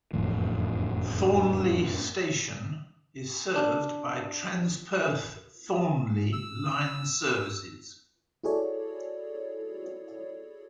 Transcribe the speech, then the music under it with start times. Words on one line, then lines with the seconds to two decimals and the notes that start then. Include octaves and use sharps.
Thornlie station is served by Transperth Thornlie line services.
0.13 F#1 F2 A2 E3
3.56 D4
6.33 E6
8.43 E4 F#4 G#4 A4 C#5 D5